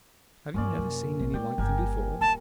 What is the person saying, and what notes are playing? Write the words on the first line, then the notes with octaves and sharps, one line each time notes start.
"Have you never seen any like them before?"
G2 A#2 F3 C#4 D5
F#2 C3
A#1
G#3 D5 G5
G1 G4 A#4 G#5
D#1 A5